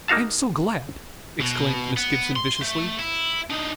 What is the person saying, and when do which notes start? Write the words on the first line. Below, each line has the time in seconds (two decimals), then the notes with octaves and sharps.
"I am so glad," exclaimed Miss Gibson viciously.
0.08 A#3 D#4 F#4 F5 A5
1.41 B2
1.97 B3
2.36 C6
2.62 A3
2.99 E4
3.50 D4 D#4